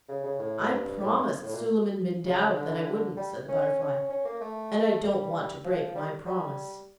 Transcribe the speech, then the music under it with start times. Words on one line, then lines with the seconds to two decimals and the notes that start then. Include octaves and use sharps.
'I promised Suleiman-bin-Daoud that I wouldn't,' said the Butterfly, 'and I don't want to break my promise.'
0.09 C#3
0.23 C#3
0.39 A2
0.70 G2
1.00 A2
1.16 G2
1.43 A2
1.53 A#2
2.25 C#3
2.56 D3
3.17 G3
3.48 C#4
3.80 C#4
4.10 C#4
4.25 A#3
4.41 A3
5.02 G3
5.64 F3
5.95 G3
6.26 G3